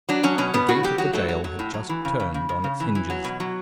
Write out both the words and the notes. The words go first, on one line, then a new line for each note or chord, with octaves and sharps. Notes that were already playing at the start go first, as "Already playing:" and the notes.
The gate of the jail had just turned on its hinges.
F#3 D4
F#3 C#4
B2 C#4
B2 B3
A2 F#4
F#3 G4
F#3 F#4
F#3 A3
F#3
F#3
A2
F#3
E3
C#3
C#3
C#3
C#3
C#3
E3
E3
F#3
B2
F#3